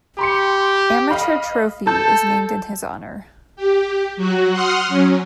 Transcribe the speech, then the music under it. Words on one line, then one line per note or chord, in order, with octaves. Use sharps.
Amateur trophy is named in his honor.
G4 B5 C6 C#7
D#5 F5 B5
A4 A5 G6
G4
F#3 F#4
F#5 C6 D#6 F6
F#3 C#4